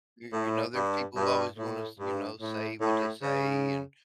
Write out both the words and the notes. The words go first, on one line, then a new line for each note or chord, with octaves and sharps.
y you know, there's people who always gonna s you know, say what they say and
A2
G2
G2
A2
G2
A2
A2
C#3